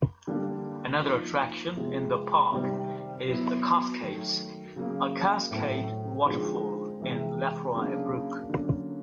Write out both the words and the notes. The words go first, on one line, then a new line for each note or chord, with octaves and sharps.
Another attraction in the park is The Cascades, a cascade waterfall in Lefroy Brook.
D3 G3 A#3 D4
F3 A#3 D#4
C3 F3 G#3
C3 D#3 G3 C4
F#3 B3 E4
D#3 F#3 A3
C#3 F#3 A#3
A2 F#3 A3 C4
D3 F3 G#3 C4 D#4
C3 E3 G#3
C#3 F#3 A#3 D4
D3 F#3 A#3 C#4